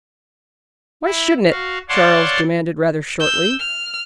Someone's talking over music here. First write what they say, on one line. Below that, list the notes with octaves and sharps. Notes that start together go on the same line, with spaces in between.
"Why shouldn't it?" Charles demanded rather shortly.
E4
F#4 F5
C#5 D5 F5 F#5 A5 C6
E6 G6
F6